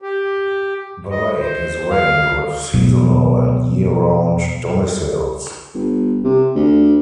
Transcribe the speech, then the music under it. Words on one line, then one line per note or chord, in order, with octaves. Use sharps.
The lake is ringed with seasonal and year-round domiciles.
G4
D#5
C5
F5
B2 F#3
G1
C3
D2